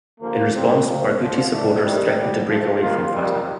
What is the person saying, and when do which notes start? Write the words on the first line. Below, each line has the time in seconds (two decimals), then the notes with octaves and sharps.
In response, Barghouti's supporters threatened to break away from Fatah.
0.20 D#2 D3 F3 A#3
0.53 A#2 G3 C4
0.85 D2 C3 F3 A#3
1.18 D2 D3 F3
1.50 C2 C3 F3 A3 D4
1.83 C3 D#3 G3
2.15 D2 D3 G3
2.48 A#1 A2 F3
2.81 D#2 D#3 A#3 F4
3.12 F2 D#3 G3